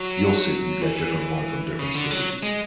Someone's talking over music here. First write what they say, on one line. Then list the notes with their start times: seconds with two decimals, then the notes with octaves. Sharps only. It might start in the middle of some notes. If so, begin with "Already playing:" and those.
You'll see, he's got different ones on different stages.
Already playing: F#3
0.82 E3
1.79 C#3
1.95 D3
2.11 F#3
2.43 G#3